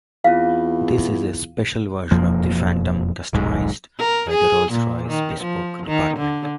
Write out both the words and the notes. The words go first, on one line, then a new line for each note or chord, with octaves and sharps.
This is a special version of the Phantom customized by the Rolls-Royce Bespoke department.
E2 C4 F4 F5
E1 F2 F3 A#3
D#1 B1 G#2
A#4
G#4
A#2
D#3
F3
D#3
D3